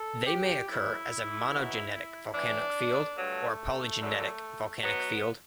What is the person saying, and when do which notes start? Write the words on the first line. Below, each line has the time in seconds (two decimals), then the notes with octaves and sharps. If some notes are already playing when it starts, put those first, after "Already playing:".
They may occur as a monogenetic volcanic field or a polygenetic volcanic field.
Already playing: A4
0.26 G4
0.67 F#2 C#3 E3 E4
1.51 B2 F#3
2.34 A2 E3 D4
3.16 G2 F#3 A3
3.99 F#2 D3 F#3
4.82 B2 F#3 B3